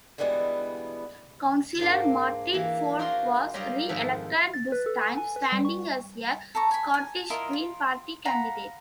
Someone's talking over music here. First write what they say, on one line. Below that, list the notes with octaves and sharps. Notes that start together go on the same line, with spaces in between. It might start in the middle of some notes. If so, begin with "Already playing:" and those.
Councillor Martin Ford was re-elected, this time standing as a Scottish Green Party candidate.
B2 D3 E3 G3 G#3 B3
G#2 A#3 D4
E3 A#3
D4 F4 F#4 A#4 C5 C6
F#3 G3 A#4 D5 D#5 F5
F2 G#2 D#3 A4 E5 F#5
A6
B4
A4
G#5
G#5
B4
G3
C#6
A4 A5 A#5 C#6
G#5 B5
G#5
E4 F4 A#4 D#5
F4
F5 F#5 A#5 B5